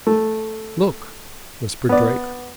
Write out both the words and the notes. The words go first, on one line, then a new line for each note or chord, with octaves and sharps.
"Look," whispered Drake.
A3
B3 D5